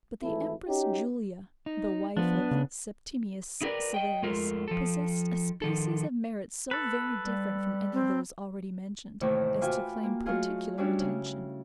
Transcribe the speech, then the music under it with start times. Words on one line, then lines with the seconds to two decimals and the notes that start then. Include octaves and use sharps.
But the empress Julia the wife of Septimius Severus, possessed a species of merit so very different from any of those already mentioned, as to claim particular attention.
0.22 G#1 E3 A3 E4 A4
0.68 C#4 D#4 F#4 G4
1.66 D#4
2.17 F3 B3 D4
2.51 C#3
3.62 D#4 E4 G4 A#4 B4 D5
3.94 D#5 G5
4.22 F2 G#3 A3 F4 A#4
4.68 F3 A4
5.62 D#3 F3 A4
6.71 A4 B4
7.23 G3
7.93 C4
9.21 D#2 A2 C3 D#3 E3
9.61 F4 F#4 B4 G5 G#5 D6
10.03 A#3
10.26 F#3 A3 D#4 F4 G#4
10.78 G3 C#4 D4 E4 F#4 G4
10.99 C#3